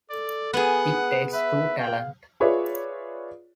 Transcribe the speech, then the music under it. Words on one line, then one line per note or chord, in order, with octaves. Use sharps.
It takes true talent.
A4 D5
B3 G#4 F#5
B4 E5
F5 G5
F4 G#4 B4 C#5 D5 E5